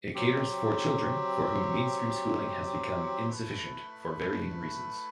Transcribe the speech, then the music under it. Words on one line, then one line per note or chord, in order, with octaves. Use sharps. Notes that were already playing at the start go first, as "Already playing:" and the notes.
It caters for children for whom mainstream schooling has become insufficient, for varying reasons.
F#3 C4 G4
A3 E4 B4